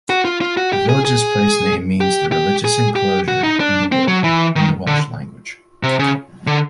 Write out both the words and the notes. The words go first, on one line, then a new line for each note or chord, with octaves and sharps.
The village's placename means the 'religious enclosure in the wood' in the Welsh language.
F#4
F4
F4
F#4
G4
G#4
G#4
G4
G4
G#4
G4
F#4
D#4
D4
C4
F#3
E3
D#3
D3
C3
C#3
D3